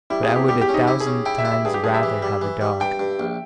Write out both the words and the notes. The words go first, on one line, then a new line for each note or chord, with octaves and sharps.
"But I would a thousand times rather have a dog."
G3 E4
G#4
B2
G4
G3 G4
G4
C#4
D#4
E4 G4
G#4
C#4
E4 G5
E5
E4
E5
G2 G#4
G4
G2 G#4
E5
E3
G3
E3
G3
G2 G5
G2
A#1